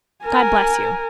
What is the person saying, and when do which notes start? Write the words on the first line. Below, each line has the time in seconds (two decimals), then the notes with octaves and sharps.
God bless you!'
0.25 A#4 G#5